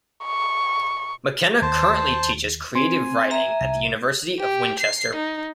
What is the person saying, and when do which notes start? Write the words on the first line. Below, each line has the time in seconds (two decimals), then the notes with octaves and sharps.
McKenna currently teaches creative writing at the University of Winchester.
0.25 C#6
1.62 D#2 C5 A5
2.75 C4 G#5 C6
3.31 E5 A#5
3.61 C2
4.40 G4
4.80 C7
5.16 D#4